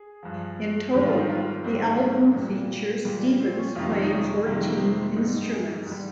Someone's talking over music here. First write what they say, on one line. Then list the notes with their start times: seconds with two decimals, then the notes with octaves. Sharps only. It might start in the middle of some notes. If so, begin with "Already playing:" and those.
In total the album features Stevens playing fourteen instruments.
Already playing: G#4
0.23 G2 F3
0.93 G#2 D#3 G3 G4
1.06 F4
1.17 D#4
1.29 F4
1.64 G#2 D#3 G3 C4
2.00 A#3
2.35 A#2 G3
3.05 A#2 G3 G#3
3.23 A#3
3.40 C4
3.58 C#4
3.75 F2 C3 D#3 G3 F4
4.04 D#4
4.11 C#4
4.46 F2 C3 D#3 G3 A#3
4.81 C4
5.16 G#2 G3 D#4
5.34 D#4
5.52 G#4
5.69 D#4
5.87 G#2 G3